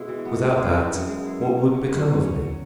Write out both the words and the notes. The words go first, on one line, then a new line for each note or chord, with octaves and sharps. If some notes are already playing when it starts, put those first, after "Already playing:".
"Without that, what would become of me?"
Already playing: B2 G#3 E4
E3
B3
G#3
E4
E3
F#2 B3
G#3
E4
B2
C#4
F#3
F#2 B2
E2
B2
F#2
E2 C#4
F#3